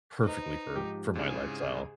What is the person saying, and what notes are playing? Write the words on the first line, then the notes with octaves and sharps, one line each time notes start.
perfectly for for my lifestyle.
D#4 B4 C5 D#5
G#2 F3 G4
G#2 C#3 C4 E4 G#4 E7